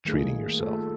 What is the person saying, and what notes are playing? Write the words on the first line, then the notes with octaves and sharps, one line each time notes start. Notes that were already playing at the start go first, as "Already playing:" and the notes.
Treating yourself?
D#3 G3 A3 A#3 D#4 G#4
A3 F4 A4